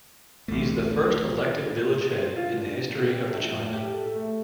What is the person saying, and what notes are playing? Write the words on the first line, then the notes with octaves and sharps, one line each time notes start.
He is the first elected village head in the history of the China.
A1 D2 A3
G#3
C5
F4
D4
A#2
G4
A#1
A2
G4
A4
A3